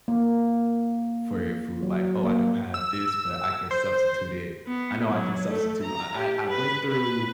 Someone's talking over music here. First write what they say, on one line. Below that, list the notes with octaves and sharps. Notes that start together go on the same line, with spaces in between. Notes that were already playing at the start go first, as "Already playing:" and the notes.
for your food? Like, "Oh, I don't have this, but I can substitute it I know I can substitute." I I I went through
A#3
F#3
A#3
E6
C5
B3
F#3
A3
A#5
G4
B4
B4